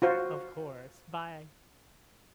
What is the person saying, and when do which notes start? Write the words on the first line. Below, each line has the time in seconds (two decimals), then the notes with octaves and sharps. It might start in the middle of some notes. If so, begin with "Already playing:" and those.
Of course. Bye.
0.02 F4 F#4 C5